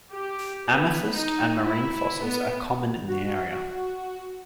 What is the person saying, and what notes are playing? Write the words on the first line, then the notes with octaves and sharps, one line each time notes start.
Amethyst and marine fossils are common in the area.
G4
B3
D#4
E4
B3
F#4